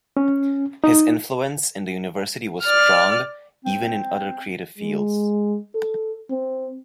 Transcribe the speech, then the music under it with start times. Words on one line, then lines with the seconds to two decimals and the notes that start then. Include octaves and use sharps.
His influence in the university was strong even in other creative fields.
0.17 C#4
0.84 D#4
2.63 D5 F6
3.65 C4
4.78 G#3
5.75 A4
6.30 C4